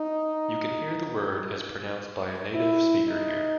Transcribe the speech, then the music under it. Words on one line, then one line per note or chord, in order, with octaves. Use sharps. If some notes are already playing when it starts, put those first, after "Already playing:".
You can hear the word as pronounced by a native speaker here.
Already playing: D#4
E4
D#4